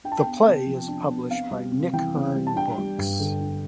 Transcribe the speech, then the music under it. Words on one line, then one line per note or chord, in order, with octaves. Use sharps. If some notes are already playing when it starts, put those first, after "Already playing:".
The play is published by Nick Hern Books.
D4 G5
A5
G5
B3
C3
F3
D4
B3
C4 F5
G3
C3
E3 G5
C4
G3
A5
D4 G5
G3
G2
D3
D4